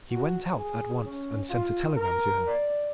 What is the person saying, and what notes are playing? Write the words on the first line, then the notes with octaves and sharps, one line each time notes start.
He went out at once and sent a telegram to her.
F#4
G#4
C#4
F4
A#4
D5